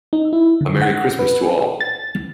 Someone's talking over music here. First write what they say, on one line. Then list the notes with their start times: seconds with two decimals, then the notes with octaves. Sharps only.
A Merry Christmas to all!
0.13 D#4
0.33 E4
0.61 D3
0.82 F#5
1.19 B4
1.81 A6